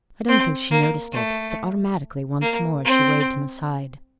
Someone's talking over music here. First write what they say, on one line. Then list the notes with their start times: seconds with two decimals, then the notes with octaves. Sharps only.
I don't think she noticed it, but automatically once more she waved him aside.
0.28 C4
0.71 A#3
1.14 A3
2.41 A#3
2.84 C4